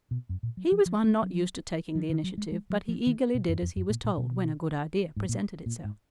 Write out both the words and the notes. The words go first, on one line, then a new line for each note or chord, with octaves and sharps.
He was one not used to taking the initiative, but he eagerly did as he was told when a good idea presented itself.
B2
F#2
A#2
F#3
F3
F3
G#3
F#3
F3
D#3
F#3
G#3
G#3
F#3
F3
D#3
B2
F#2
F2
F#2
A#2
A#2
B2
G#2
A#2
A#2
G#2